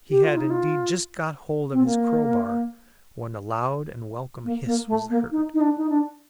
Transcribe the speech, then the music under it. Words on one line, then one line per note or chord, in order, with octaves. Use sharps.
He had indeed just got hold of his crowbar when a loud and welcome hiss was heard.
G4
F4
D#4
F4
C4
A#3
A#3
A#3
A3
A#3
D#4
D#4
D4
D#4
D4